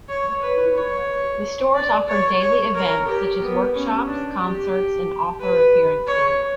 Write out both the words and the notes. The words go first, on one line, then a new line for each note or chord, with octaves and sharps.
The stores offered daily events such as workshops, concerts, and author appearances.
C#5
B4
C#5
D5
C#5
C#5
A#4
G4
B3
C#4
D4
G4
B4
C#5